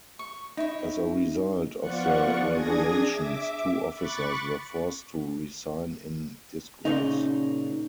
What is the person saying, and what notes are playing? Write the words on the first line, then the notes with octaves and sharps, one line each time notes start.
As a result of the revelations, two officers were forced to resign in disgrace.
C#6
D#4 E4 C#5
F3 B3 F4 D5 F#5 C#6
D4 G#4 D#6 G#6 A#6
E5 D6
B5 C#6 D6 F#6 A6
A#2 C#3 D#4